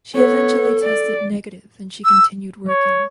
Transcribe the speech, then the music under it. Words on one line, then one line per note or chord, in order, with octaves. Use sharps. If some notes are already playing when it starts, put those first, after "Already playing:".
She eventually tested negative and she continued working.
B3 A4 C#5
D5
E6
C#5